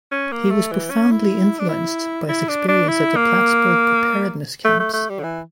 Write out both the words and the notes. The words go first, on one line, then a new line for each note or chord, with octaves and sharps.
He was profoundly influenced by his experience at the Plattsburg Preparedness camps.
C#4
A#3
A3
E3
C#4
E4
D4
E4
E4
D4
D4
E4
A#3
A3
A3
A3
G3
D3
E3